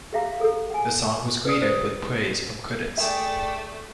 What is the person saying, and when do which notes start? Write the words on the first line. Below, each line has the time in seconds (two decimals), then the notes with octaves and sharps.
The song was greeted with praise from critics.
0.13 G4 G#4 E5 F5 A#5 D6
0.40 G#4 A4
0.70 F#5 G#5
1.45 B4 D5 D#6
1.62 C5
2.97 A3 G#4 D5 E5 G5